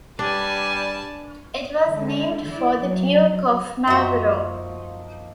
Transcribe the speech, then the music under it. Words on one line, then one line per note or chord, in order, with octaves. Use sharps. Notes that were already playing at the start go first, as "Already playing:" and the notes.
It was named for the Duke of Marlborough.
G3 D4 B4 D5 G#5 A5
D3 G#3
E4 D5
F#3
F#2 F3 A#3 D#4 F#4 E5